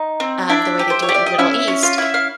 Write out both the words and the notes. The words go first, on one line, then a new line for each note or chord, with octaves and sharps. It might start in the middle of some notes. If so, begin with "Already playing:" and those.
Um, the way they do it in the Middle East,
Already playing: D#4
C4
D4 E4 E5
G4
C5
C#5
G4
D5
D#5
C#4 E4 E5
C#4
F4 F5
E4 E5
F5